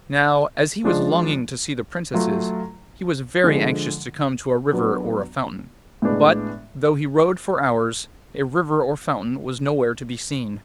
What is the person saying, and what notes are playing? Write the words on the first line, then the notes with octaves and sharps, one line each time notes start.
Now, as he was longing to see the princesses, he was very anxious to come to a river or a fountain, but, though he rode for hours, a river or fountain was nowhere to be seen.
F3 G#3 D4 F4
F#3 A3 F4
D3 F3 G#3
F#3 B3 D4 F#4
A2 G#3 B3 D4